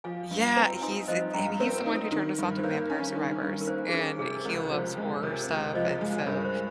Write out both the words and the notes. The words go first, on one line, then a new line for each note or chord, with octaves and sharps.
Yeah. He's it I mean, he's the one who turned us on to vampire survivors, and he loves horror stuff and so,
F3 F5 G#5
G2
C4 G5 A#5
D#4 G#5 C6
F3 C5 D#5
G2 G5 A#5
C4 A#4 C#5
D#4
D#3
G2
C5
A#3 A#4 C#5
C#4
D#3
G2
A#4
A#3 C5
G#4
C#4 A#4
C3 G#4
C#2 A#4
F3 C5
G#3
C3 A#4 C#5
C#2
F3 C5 D#5
G#3
G2 A#4 C#5
C5